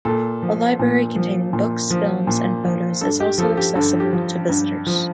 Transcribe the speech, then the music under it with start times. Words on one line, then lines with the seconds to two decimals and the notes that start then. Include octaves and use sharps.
A library containing books, films, and photos is also accessible to visitors.
0.05 A#2 A4
0.43 F3
0.79 A#2
1.16 F3
1.53 A#2
1.90 F3
2.27 A#2
2.64 F3
3.01 G2 A4
3.20 G4
3.38 F3 A4
3.57 G4
3.75 G2 A4
4.00 G4
4.13 F3
4.49 G2
4.87 F3